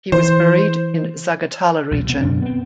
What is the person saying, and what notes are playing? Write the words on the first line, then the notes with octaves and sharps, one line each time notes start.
He was buried in Zagatala region.
E3 C5
B1 E2 A#2
C3 B3
F#2 B2 D3 D4
B3 C4